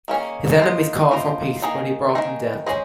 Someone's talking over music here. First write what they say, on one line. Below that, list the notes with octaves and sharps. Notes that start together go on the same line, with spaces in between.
His enemies called for peace, but he brought them death.
D#3 A#3 C#4 G#4
A#3 F4 C5 D#5
A#3 F4 C5 D#5
D#3 A#3 D#4 G#4
D#3 A#3 D#4 G#4
G#3 C#4 G#4 C5 D#5